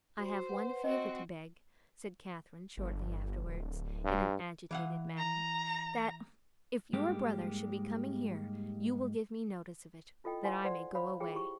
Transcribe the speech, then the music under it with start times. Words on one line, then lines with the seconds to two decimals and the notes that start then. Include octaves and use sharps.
"I have one favour to beg," said Catherine, shortly afterwards, in an agitated manner, "that, if your brother should be coming here, you will give me notice of it, that I may go away."
0.18 F#4 C5
0.49 B4 F#5
0.84 C4 F#4 C5 D#5
2.77 G1
3.45 D1
4.05 G2
4.71 E3 F5 F#5
5.18 A#5
6.93 G#2 G3 G#3 A#3 G4
10.24 E4 F4 A4 D#5 G5
10.43 E4 C5 F5 F#5 G#5 C6
10.64 C5 D5 F#5 C6
10.95 C5 C#5 F5 B5
11.20 F4 G#4 G5
11.34 E4 G4 C#6